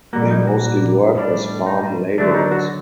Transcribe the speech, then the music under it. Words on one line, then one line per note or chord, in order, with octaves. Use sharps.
They mostly work as farm labourers.
A#2 G3 A#3 F#4
D#4
F#4
A2 G3 D4
D#4
D3 F#3 A3 D4
D#4
F#4